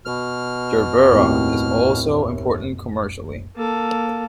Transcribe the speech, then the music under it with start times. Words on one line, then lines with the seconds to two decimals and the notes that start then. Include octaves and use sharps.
"Gerbera" is also important commercially.
0.05 B2 F6
1.12 D#2 A2 C4
3.56 A#3 A4